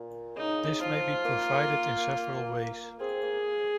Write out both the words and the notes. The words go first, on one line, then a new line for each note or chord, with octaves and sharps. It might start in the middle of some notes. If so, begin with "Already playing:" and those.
This may be provided in several ways.
Already playing: A#2
C#3 D#4
F3 F4
A#3
C4 G#4
A#3